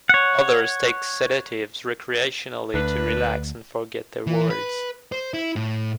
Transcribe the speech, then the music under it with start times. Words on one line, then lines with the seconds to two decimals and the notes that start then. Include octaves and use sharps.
Others take sedatives recreationally to relax and forget their worries.
0.09 C#5 F#5
2.74 D2 D4 B4
4.27 E3
4.50 B4
5.12 C5
5.34 E4
5.56 A2